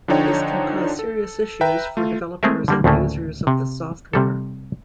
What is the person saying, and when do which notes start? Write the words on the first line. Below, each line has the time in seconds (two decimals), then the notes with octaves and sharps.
This can cause serious issues for developers and users of the software.
0.08 D3 F3 D4 D#4 C#5 G5
0.99 A4
1.61 B4 E5 G5 A#5
1.97 A3 F4
2.43 G#3 A3 C4 G#4 A#4 E5
2.68 D3 G3 A#3
2.84 D2 A2 C#3 A3 A#3
3.47 C3
4.13 C3 G3 A4